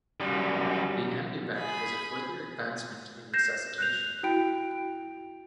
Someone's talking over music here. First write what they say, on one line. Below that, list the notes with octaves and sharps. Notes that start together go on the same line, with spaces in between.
The ambu-bag was a further advancement in resuscitation.
F#2 G3
G#4 B5
G6 A#6 C7 E7
F#6 G6 F7
E4 F#4 G5 D7